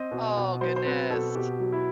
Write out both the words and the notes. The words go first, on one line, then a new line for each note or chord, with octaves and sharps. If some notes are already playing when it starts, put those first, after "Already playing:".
Oh, goodness!
Already playing: C4 D#5
B2
B2
F#3 C5
C5
C4 B4
B2 A4
B2 G4
F#3
E4